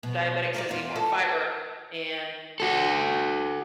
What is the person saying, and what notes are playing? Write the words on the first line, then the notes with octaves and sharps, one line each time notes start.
diabetics says eat more fiber, and
B2
A#4 C#5 D5
E2 F4
A4
F#4 A4